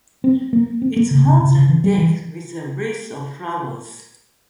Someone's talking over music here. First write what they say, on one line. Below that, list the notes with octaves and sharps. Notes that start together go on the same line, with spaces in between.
Its horns are decked with a wreath of flowers.
C4
A#3
C4
A#3
C#3
C3
C3
C#3
E3
G3
E3